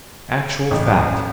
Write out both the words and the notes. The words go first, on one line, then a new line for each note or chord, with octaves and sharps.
"Actual fact!"
A1